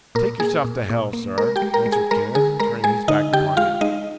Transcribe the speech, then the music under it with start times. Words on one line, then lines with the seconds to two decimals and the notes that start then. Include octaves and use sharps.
"Take yourself to hell, sir!" answered Kenneth, turning his back upon him.
0.15 A#2 A#4
0.40 A#3 G#4
0.64 A#2
0.89 A#2
1.13 A#3
1.38 G#3 A#4
1.56 G4 G5
1.62 G#3
1.74 A#4 A#5
1.86 G#3
1.92 G#4 G#5
2.11 G#3 A#4 A#5
2.35 D3 G#4 G#5
2.60 G#3 A#4 A#5
2.84 G#3 G#4 G#5
3.08 D3 D#4 D#5
3.33 D3 G4 G5
3.57 G#3 F4 F5
3.81 G#3 D#4 D#5